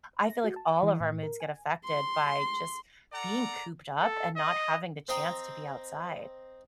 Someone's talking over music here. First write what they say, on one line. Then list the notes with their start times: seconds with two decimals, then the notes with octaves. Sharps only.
I feel like all of our moods get affected by just being cooped up and not having the chance to be outside.
0.21 A#6
0.44 F#4
0.56 A5
0.83 E3
1.00 A2
1.23 A#4
1.40 G#5
1.85 C6
3.12 A4 D5 F#5 A#5
4.02 A4
4.37 D#5
5.09 C4 C5 D#5 G5 A#5